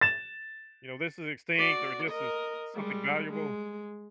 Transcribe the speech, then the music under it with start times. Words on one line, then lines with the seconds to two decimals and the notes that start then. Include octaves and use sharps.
you know, this is extinct or this is something valuable."
0.01 A6 E7
1.57 F#4 D5
2.09 A#4 D#5
2.75 G3 G#3
3.27 G#3